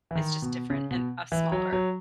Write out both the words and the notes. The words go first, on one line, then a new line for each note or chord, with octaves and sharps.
it's just different and a smaller
E3
D#3
B2
C#3
B2
E3
F#3
F#3